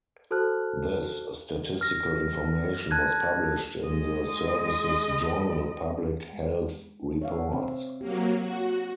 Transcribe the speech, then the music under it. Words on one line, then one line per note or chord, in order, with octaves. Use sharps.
This statistical information was published in the Service's journal, Public Health Reports.
F#4 A4 C5 A5 F6 F#6
F6 A#6
A5 F#6 G#6
G#3 D#5
G#3
C#5 E5 F5
C4
F#3 A#3 G4
F#4